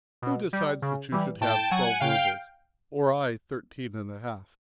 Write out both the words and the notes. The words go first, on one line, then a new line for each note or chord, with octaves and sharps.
Who decides that you should have twelve rubles, or I thirteen and a half?
B2
G3
C#3
E3 G3
A2 G5 A5
F#3 F#5 G#5
C#3 F5 G5